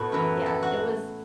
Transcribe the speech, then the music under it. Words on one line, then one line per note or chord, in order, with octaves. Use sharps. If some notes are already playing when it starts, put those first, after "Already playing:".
Yeah, it was
Already playing: A2 A3 B3 F#4
F#2 E3
A4
F#4